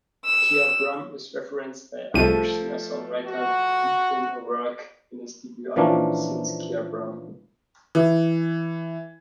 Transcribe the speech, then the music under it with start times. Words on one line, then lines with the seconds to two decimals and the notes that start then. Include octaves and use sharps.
Kyabram is referenced by Irish singer-songwriter Declan O'Rourke on his debut album "Since Kyabram".
0.25 E6
2.14 C2 F3 A3 D#7
3.27 F#4
5.76 A#2 E3 F3 A#3 C#4 D4
7.95 E3